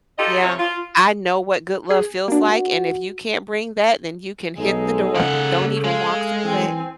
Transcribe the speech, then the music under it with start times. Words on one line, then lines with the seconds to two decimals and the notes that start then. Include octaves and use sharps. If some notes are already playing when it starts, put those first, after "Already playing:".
yeah, I know what good love feels like and if you can't bring that, then you can hit the door. Don't even walk through it.
0.18 D#4 F4 G4 A4 D#5
0.42 C3 F#3 A3 C#4 F4 C#5
0.58 F4
1.90 G#4
2.28 A#3 D4 F#4
4.58 B1 G#3 D#4 A4
5.15 C#3 A#3 F#5
5.84 G#3 F5
6.44 E3 C4 G#5